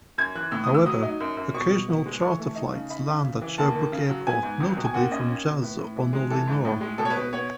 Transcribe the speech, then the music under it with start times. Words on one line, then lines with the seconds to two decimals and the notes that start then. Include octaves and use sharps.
However, occasional charter flights land at Sherbrooke airport, notably from Jazz or Nolinor.
0.18 F#2 G#6
0.35 E3 F#6
0.52 A2 E6
0.64 D#6
0.69 A2
0.74 E6
0.86 F#3 D#6
1.02 D#4
1.20 F#2
1.37 F#2
1.54 B2 C#6
1.71 B2
1.88 B3
2.06 G#3
2.21 E3 C#6
2.39 A3
2.56 D#4
2.73 C#3
2.90 D#4 B5
3.07 C#3
3.24 C#3
3.42 E3
3.58 D#2 A5
3.75 D#3
3.92 C#3
4.09 F#3
4.27 B3 G#5
4.43 G#2
4.60 C#2
4.77 B2
4.84 G#5
4.94 D#2 F#5
5.11 C#4 D#5
5.29 C#4
5.45 B2
5.62 A2 B4
5.79 A2
5.96 E3
6.13 G#3
6.30 E3 A4
6.47 G#2
6.65 A2
6.81 G#3
6.98 B2 A4
7.05 C#5
7.10 B4
7.16 B2
7.21 B4
7.33 B3 C#5